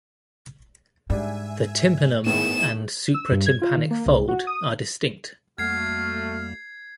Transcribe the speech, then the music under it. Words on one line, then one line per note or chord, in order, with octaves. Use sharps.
The tympanum and supratympanic fold are distinct.
G#2 G3 D4 E5 G#5
A2 D#3 B3 E4 G#4 E7
E6
G2
G#6
F4
D#3
A#3
C2
F#4
D#6
F2 G3 A3 A#3 F#4 F6 G#6 C7